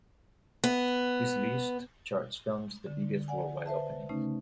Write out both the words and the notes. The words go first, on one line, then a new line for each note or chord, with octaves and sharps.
This list charts films the biggest worldwide openings.
B3
D3
D5 F#5 G#5
B4 C5 E5 A5
C#3 A3 C#4 D#4